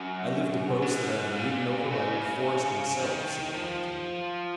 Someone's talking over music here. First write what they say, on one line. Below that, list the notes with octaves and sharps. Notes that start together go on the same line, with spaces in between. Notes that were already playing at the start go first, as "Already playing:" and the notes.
"I live to boast that I've been ridden over by old Forrest himself," said Pennington.
Already playing: F#2
G#2
A#2
C#3
D#3
F3